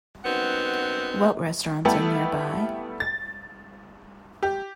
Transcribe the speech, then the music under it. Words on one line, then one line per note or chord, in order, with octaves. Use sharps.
What restaurants are nearby?
F#2 B3 C4 D#4 F#5
G3 A3 B3 E4 G4 A4
A6
G4